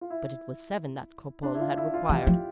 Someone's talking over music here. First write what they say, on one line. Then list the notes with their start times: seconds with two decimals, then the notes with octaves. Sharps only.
But it was seven that Cropole had required.
0.01 F4
0.10 E4
1.43 D4
1.55 E4
1.61 F4
1.77 E4
1.94 F4
2.10 E3 G4
2.26 F3 F4